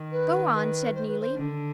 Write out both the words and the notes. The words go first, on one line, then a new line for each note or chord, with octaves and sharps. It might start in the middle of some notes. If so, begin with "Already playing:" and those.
"Go on," said Neelie.
Already playing: D#3
B4
B4
C5
B4
C5
D3